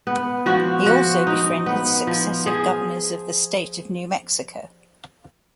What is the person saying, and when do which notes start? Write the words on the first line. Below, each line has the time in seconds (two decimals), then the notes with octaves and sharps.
He also befriended successive governors of the state of New Mexico.
0.07 B3
0.46 F3 F#4
0.86 F3 F#4
1.27 D#4
1.66 B3
2.07 F3
2.46 F3 G#4